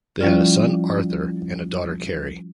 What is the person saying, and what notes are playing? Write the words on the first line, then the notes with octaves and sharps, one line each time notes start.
They had a son Arthur and a daughter Kerry.
F3 G3 C#4 E4 F4 D5